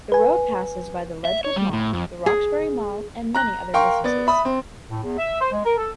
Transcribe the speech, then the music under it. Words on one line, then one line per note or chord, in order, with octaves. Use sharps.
The road passes by the Ledgewood Mall, the Roxbury Mall, and many other businesses.
B4 G#5
E5
C#5
G3
A2
F2
G#4
A#5 F#6 A#6
A#4 F5 G5 C6 C#6
B3 D5 A6
E5 B5 D#6
C4
A2
E2
E5
C5
G#3
A#4
A4